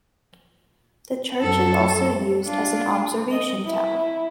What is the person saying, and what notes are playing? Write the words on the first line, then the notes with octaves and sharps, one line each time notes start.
The church is also used as an observation tower.
F#2 A4
D4 F4
D#5
E4